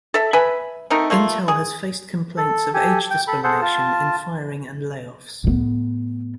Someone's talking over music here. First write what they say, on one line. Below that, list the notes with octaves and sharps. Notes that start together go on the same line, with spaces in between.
Intel has faced complaints of age discrimination in firing and layoffs.
A4 E5
B4 E5 G#5 B5
A3 C4 D#4 A#4
A3 A#3 F4
G#4
A4
G4 A4 G#5
G5
A4 B5
G#4 A4 C5 F#5
F4 A5
A2 B3